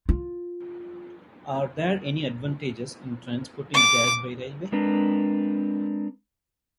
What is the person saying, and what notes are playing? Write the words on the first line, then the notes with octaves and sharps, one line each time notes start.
Are there any advantages in transporting gas by railway?
F4
D6
G#3 C4 D4 A#4 B4